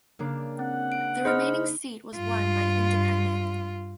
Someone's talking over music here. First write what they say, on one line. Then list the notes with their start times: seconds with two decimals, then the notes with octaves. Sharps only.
The remaining seat was won by an Independent.
0.19 C#3 A#3 D4
0.59 C4 F#5
0.92 D7
1.25 D#4 G#4 C5 D#5 B5 F6
2.16 G2 F4